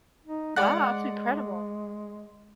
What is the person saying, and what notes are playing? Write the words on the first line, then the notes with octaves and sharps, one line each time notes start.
Wow, that's incredible.
D#4
G#3 D5 F#5 F#6